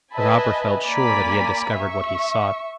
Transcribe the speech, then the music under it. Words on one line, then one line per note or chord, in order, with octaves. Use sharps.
The robber felt sure that he had discovered what he sought.
B4 D#5 E5 G#5 A5 B5
A#3 D5 G#5 A#5 B5 B6
E5 C#6